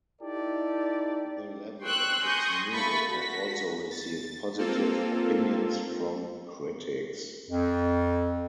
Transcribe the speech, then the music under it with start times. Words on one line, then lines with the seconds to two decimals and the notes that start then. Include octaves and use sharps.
The level and its music have also received positive opinions from critics.
0.22 D#4 E4 G4 A4 D5
1.82 G5 C6 C#6 E6 F#6
2.24 G#5 C6 C#6 D#6 G6 A#6
2.72 A3 A#3 B5 C#6 A6 B6
3.08 F#4 A#6 B6
3.91 A6
4.58 A#3 C4 F4 A4
7.49 F2